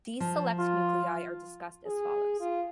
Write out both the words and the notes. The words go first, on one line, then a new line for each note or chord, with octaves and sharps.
These select nuclei are discussed as follows.
F3
F4
G#4
F4